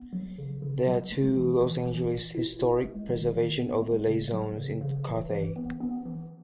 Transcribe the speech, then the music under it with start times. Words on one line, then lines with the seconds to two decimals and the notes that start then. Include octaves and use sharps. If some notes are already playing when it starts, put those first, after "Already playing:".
There are two Los Angeles Historic Preservation Overlay Zones in Carthay.
Already playing: B3
0.13 F#3
0.38 C#3
0.62 C#3
0.86 F#3
1.12 G#3
1.37 E3
1.61 E3
1.86 E3
2.10 A#2
2.35 E4
2.59 E4
2.85 G#3
3.09 D#3
3.33 D#3
3.59 B3
3.82 G#3
4.07 C#3
4.32 F#3
4.57 C#3
4.81 C#3
5.06 E3
5.31 E3
5.56 B3
5.80 B3
6.05 E3